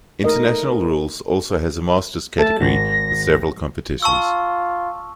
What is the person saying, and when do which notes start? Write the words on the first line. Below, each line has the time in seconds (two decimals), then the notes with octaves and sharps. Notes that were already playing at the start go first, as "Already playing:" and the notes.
International rules also has a masters category with several competitions.
0.24 A3 D#4 A#4 D#5
2.39 A3 A5
2.61 G#1 A#6
4.02 F4 A5 C#6 E6